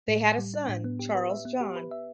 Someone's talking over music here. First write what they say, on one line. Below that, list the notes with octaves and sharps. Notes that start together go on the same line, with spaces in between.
They had a son, Charles John.
A2
A2
G3
D4
A2
B3
G4
B4
E5
B3
G4
B4
E5